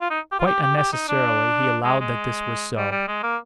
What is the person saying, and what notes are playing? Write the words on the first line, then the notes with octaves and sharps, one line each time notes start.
Quite unnecessarily he allowed that this was so.
F4
D#4
G4
F4
G4
G4
G4
D#4
D4
G#3
G#3
G3
G3
G#3
A#3